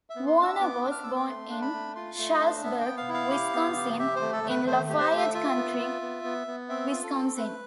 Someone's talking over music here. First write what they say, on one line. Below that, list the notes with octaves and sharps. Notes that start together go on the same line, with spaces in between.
Warner was born in Shullsburg, Wisconsin, in Lafayette County, Wisconsin.
E5
B3
C6
D4
E6
B3 D6
D4
F6
B3 E6
D6
A3 C6
D4
B5
A3
F4 C6
A3
D4
B3 E5
G5
B3
F5
E4
F5
G4
B3
G4
G4 E5
C5
A3
A4
A3
B4
A3 C5
G4
C5
A3
E5
F4 E5
B3
F4
B3
B3
B3
C4 E5
F4
A4
C4
A3 B4